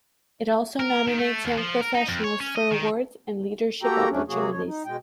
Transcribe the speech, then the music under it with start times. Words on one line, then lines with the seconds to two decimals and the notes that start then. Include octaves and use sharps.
It also nominates young professionals for awards and leadership opportunities.
0.79 A#4
1.07 D#3
1.18 A3
1.45 D#2
1.58 F3
1.81 A#4
1.95 D#4
2.09 F2
2.24 C#5
2.41 C#4
2.55 D#5
2.71 D#3
3.83 A#3 F#4 G4 A4 G5 A#5
4.10 E2 F#3 A3 C#4 D4
4.28 C3 F#3 A#3 F#4 G#4
4.51 D#2 F3 C#5
4.66 D#4
4.85 B2 G#3 G5